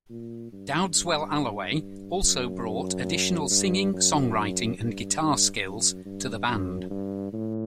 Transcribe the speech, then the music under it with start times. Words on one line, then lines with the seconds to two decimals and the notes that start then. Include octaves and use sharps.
Dowdeswell-Allaway also brought additional singing, songwriting and guitar skills to the band.
0.10 A#2
0.52 G2
0.95 G2
2.23 F#2
3.50 G2
3.93 F#2
4.78 G2
5.21 G2
5.62 F#2
6.05 G2
6.48 F#2
6.90 G2
7.33 A2